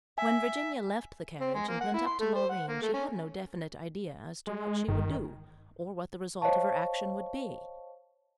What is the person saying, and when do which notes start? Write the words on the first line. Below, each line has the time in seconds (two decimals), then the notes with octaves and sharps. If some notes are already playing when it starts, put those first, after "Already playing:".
When Virginia left the carriage and went up to Loreen she had no definite idea as to what she would do or what the result of her action would be.
0.18 E5 G#5
1.40 C4
1.54 G#3
1.68 A#3
1.81 F#5
1.94 E4
2.06 C6
2.20 A3
2.35 C5
2.50 F#5
2.68 A#3
2.82 A3
2.94 C#4
4.47 G#3
4.88 G1 D#3
6.41 C5 C#5 D#5 F5 A5 C#6